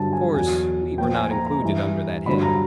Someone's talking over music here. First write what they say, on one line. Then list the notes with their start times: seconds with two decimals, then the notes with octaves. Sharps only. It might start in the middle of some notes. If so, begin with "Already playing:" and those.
Of course, we were not included under that head.
Already playing: G2 D3 F#3 A5
0.13 G#5
0.34 E2 B2 F#3 G#5
0.98 A#2 F3 G5
1.15 G#5
1.31 A#5
1.46 A#5
1.62 G2 E3
2.26 G2 D3 F#3 B5
2.43 A#5